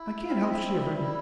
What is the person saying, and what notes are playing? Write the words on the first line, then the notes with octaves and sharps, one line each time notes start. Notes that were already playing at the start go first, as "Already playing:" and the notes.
I can't help shivering.
Already playing: E4
C4 F5
E5
D#5
E4 E5
G3
E4